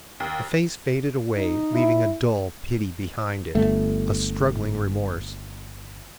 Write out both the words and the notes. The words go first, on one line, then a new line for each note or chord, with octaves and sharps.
The face faded away leaving a dull pity behind it, a struggling remorse.
D#2
D#4
E4
G1 A3